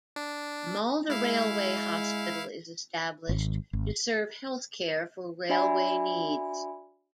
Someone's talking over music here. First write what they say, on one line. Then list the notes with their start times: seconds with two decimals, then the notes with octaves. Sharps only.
Malda Railway Hospital is established to serve health care for railway needs.
0.16 D4
1.10 G#3 E4 F5
3.29 G#1
3.73 G#1
5.49 D4 F#4 D5 E5 G#5 B5